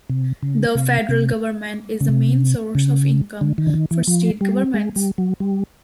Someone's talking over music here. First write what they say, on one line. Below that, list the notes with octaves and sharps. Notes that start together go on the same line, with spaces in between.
The federal government is the main source of income for state governments.
C3
C#3
C3
C3
C#3
C3
C#3
D3
D#3
D3
D#3
E3
F3
G3
G#3
G3
F#3
G3